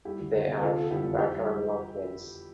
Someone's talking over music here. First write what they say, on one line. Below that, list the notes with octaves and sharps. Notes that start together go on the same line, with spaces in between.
They are fraternal twins.
G3 E4 G4
D2
D2
C3
D3 F4 A4
F3 A4
G1 E4 G4
F2
E3 E4 G4
G3